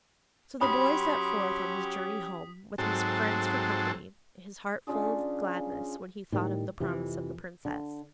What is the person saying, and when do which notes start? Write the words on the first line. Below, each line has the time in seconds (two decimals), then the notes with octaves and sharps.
So the boy set forth on his journey home, with his friends for company; his heart full of gladness when he thought of the promise of the princess.
0.61 F#3 C#4 G4 B5 C6 D#6 B6
2.78 G#2 F#3 C4 A4
4.87 C#3 D4 F4 G#4
6.32 A2 D#3 G3
6.80 F2 C3 E3
7.65 D3